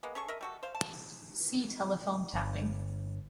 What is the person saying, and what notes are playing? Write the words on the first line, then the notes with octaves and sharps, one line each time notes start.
See Telephone tapping.
G#3 A#3 B3
C#4 G#4 A4 C#6
A#4 D#5 E5
G3 F#4 A4
C5 F5
A5
G1